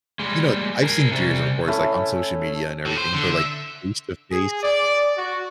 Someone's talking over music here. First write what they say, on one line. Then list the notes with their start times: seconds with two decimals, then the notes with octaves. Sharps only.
you know, I've seen deers, of course, like, on social media and everything, but, like, face-to-face
0.19 G3 G#3
0.83 G#4 A#4
1.12 C3 G3
1.68 A3 C#4 E4
2.85 A2
2.98 C5
3.13 D3
3.32 E5
4.32 G#4
4.62 D5
5.17 F#4